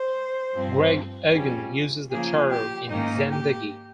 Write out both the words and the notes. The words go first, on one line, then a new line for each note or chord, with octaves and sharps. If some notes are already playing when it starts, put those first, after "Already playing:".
Greg Egan uses the term in "Zendegi".
Already playing: C5
G2 F3 C4
F2 C#3 G3 C#4
C#3 F3 A#3 C#4 G#4
G4
G#2 D#3 A#3 C#4 D#4
G4